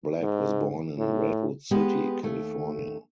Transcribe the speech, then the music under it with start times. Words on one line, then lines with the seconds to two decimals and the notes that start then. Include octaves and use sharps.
Black was born in Redwood City, California.
0.21 G#2
0.98 A2
1.71 G#3 B3 G4 B4
2.23 D#2 A3